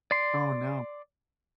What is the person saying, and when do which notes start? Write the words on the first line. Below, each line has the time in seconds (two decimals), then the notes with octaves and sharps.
Oh, no.
0.11 D5 C6